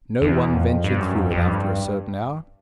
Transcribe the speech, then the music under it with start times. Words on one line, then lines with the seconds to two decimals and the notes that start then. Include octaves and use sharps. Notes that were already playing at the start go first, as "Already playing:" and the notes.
No one ventured through it after a certain hour.
0.22 E2
0.54 F2
0.84 G2
1.00 F#2
1.15 F2
1.31 F2
1.47 G2